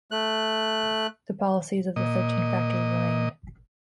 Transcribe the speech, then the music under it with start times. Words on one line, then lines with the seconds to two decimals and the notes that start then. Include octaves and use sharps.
The policies of the Thirteen Factories remained.
0.11 A3 F#6
1.96 A#2 D#5